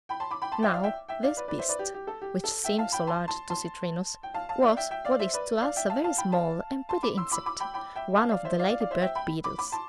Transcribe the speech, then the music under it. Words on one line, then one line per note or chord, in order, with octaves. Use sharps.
Now this beast, which seemed so large to Citrinus, was what is to us a very small and pretty insect, one of the lady-bird beetles.
G5 B5
A5 C6
B5 D6
G5 B5
A5 C6
E5 G5
D5 F5
E5 G5
E5 G5
D5 F5
B4 D5
B4 D5
C5 E5
B4 D5
G4
G4
A4
G4
A4
E5 G5
F5 A5
G5 B5
A5 C6
A5 C6
A5 C6
G5
F5 A5
F5 A5
D5 F5
E5 G5
E5 G5
D5 F5
C5 E5
B4 D5
D5 F5
E5 G5
F5 A5
F5 A5
G5 B5
F5 A5
A5 C6
B5 D6
C6 E6
B5 D6
B5 D6
G5 B5
G5 B5
E5 G5
F5 A5
D5 F5
C5 E5
D5 F5
D5 F5
D5 F5
C5 E5
E5 G5
G5 B5
B5 D6
B5 D6
A5 C6